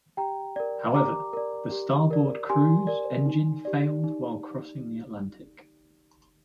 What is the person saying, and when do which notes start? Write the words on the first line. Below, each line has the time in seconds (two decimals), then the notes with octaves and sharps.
However, the starboard cruise engine failed while crossing the Atlantic.
0.17 G4 G5 A#5
0.56 A#4 D5
0.94 G4 A#5 D6
1.33 A#4 D5
1.72 G4
2.11 A#4 D5
2.49 G4 G#5 C6
2.87 A#4 D5
3.26 D#4
3.65 G4 D5
4.04 D#4